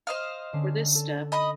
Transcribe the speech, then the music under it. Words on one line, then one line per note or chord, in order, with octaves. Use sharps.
For this step.
C5 D#5 F5
D3 C#4 C7
A4
D#5 B5 D#6